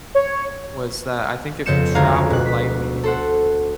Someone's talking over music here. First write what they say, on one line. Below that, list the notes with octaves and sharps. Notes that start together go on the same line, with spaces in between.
was that I think if you travel lightly,
C#5
F2 C#3 B3 G6 C#7 E7
D2 G#3 F4 F5 G#5 A#5
B2 F#6
B6
A4 C5 F#5